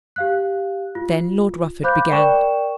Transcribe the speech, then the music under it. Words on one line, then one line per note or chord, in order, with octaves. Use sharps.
Then Lord Rufford began.
G4 F5 F#6
F4
C5 F5 B5 D6 F#6 G6
A#4 D5 G5 C#6 E7